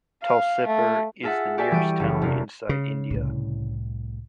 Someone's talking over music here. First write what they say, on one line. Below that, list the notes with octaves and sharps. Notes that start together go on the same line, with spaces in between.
Tulsipur is the nearest town inside India.
F5
A3
F4 G#4 A4 E5 F#5
F#4 G4 A4 D5 E5 G#5
E3 G3 C#6 D7 D#7
F#1
E1 C3
C#3
C2 A2